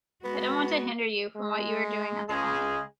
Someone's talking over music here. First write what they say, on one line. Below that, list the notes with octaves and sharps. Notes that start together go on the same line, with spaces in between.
I don't want to hinder you from what you are doing at the moment.
G#3 B3 F#4
G#3
C#2 C#3 G#3 G#4